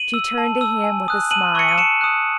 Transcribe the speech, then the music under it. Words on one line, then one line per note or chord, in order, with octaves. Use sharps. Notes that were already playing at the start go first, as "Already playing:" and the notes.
She turned to him with a smile.
Already playing: D#7 F#7
E6
A5
E6
G#5
D#6 F#6
A5 D#7 F#7
C#6 E6 C#7
D#7
A5 C#7 E7
D#6 F#6